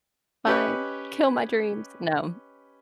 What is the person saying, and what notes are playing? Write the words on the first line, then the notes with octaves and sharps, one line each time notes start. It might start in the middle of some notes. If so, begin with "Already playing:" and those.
Fine. Kill my dreams, no.
C#4 G4 B4 C#5 D#5